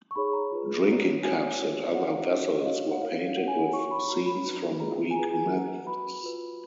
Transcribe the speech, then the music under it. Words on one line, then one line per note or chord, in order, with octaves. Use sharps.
Drinking cups and other vessels were painted with scenes from Greek myths.
C#6
D#4 G#4 C#5 B5
A#5
F4 G#4 B4
F#4 A#4 C#5
F#4 C#5 G#5
F4 A#4 C#5
F#4 C#5 F#5
F5
D#4 F#4 A#4 C#5
D#5
F#4 C#5 F5
F#5
D#4 A#4 C#5 F5
F5
F#4 C#5 F#5
G#5
F#5
F#4 C#5 C#6
C#6
B5
F#4 C#5 A#5
B5
D#4 F#4 B4
F4 G#4 B4 A#5
G#5
F4 G#4 B4 A#5
G#5
F#4 B4 F#5
F#4 B4 B5
F4 B4